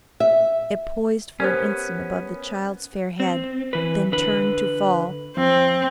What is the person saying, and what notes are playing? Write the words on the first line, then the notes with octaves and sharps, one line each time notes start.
It poised for an instant above the child's fair head--then turned to fall.
E5
B3 C#4 G4 A#4 C5
C4
E3 B4
D3 B4
F2 C4